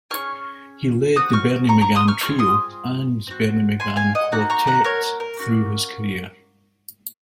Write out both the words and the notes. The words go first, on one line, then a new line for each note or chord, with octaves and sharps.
He led the Bernie McGann Trio and Bernie McGann Quartet through his career.
C#4 F4 G#4 C#6 F6
C4 F#4 D#6 F#6
C#6 F6
A#5 C#6
A#5 C#6
C6 D#6
C#6 F6
C4 F4 G#4 C#6 F6
C6 D#6
C4 F#4
G#5 C6
F5 G#5
D#5 F#5
A#3 D#4 F#4 F#5 A#5
A#5 C#6
F#5 A#5
A#4 C#5
A#4
A#3 C#4 F#4